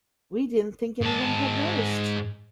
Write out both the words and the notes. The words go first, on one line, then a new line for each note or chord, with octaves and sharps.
We didn't think anyone had noticed.
G#2 A5